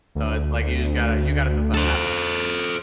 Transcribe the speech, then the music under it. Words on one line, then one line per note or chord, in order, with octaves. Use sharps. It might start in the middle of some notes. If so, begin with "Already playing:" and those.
So, it's like you just gotta you gotta sometimes have that, you know?
D2
A4 C5